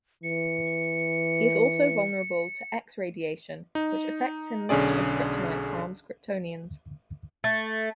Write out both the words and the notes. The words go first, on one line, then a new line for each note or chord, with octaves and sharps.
He is also vulnerable to "X-radiation", which affects him much as kryptonite harms Kryptonians.
E3 C#7
D#4
B1 D3 C#4 G#4 D5
A3